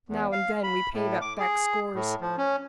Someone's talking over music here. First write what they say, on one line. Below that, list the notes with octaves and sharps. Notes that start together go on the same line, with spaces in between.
Now and then we paid up back scores.
E2
F5
B5
A2
D6
G#4
A2
F3
C#4